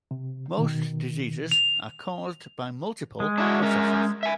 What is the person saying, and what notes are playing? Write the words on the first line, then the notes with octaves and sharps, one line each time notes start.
Most diseases are caused by multiple processes.
C3
B2 D#3
F7
G#3
D4 E4 F#4
C#4 A#4 E5
E5 G#5